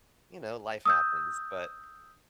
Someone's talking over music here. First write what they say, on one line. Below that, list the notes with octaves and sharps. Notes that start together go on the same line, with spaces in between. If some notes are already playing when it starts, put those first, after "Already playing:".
you know, life happens, but
D#6 E6 G6